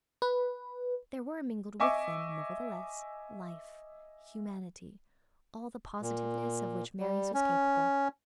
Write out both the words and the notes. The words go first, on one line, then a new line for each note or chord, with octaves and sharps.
There were mingled with them, nevertheless, life, humanity, all the positiveness of which Marius was capable.
B4
D#5 E5 G#5 C#6 D6 E6
A#2
G3
C#4